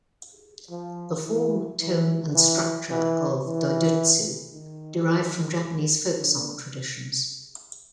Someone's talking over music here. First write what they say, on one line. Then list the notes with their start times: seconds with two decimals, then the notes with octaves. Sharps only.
The form, tone and structure of Dodoitsu derive from Japanese folk song traditions.
0.70 F3
1.25 E3
1.80 E3
2.35 E3
2.90 E3
3.44 E3
4.53 D#3
6.18 D3